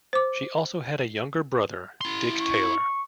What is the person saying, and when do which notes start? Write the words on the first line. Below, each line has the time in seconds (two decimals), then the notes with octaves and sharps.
She also had a younger brother, Dick Taylor.
0.13 C5 D6
2.01 E4 C6
2.40 C#6